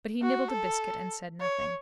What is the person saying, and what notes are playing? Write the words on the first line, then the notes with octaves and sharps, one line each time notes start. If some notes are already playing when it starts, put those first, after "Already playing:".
But he nibbled a biscuit, and said nothing.
F#4
A4
C#5